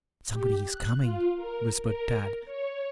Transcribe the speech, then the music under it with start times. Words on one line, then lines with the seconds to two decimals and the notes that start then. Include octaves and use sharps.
"Somebody is coming," whispered Tad.
0.32 G4
0.68 F#6
1.01 F4
1.36 A#4
1.83 A#4
2.45 C#5